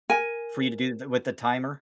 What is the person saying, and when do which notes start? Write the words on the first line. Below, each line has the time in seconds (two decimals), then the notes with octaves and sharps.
for you to do th with the timer.
0.10 A#4 G#5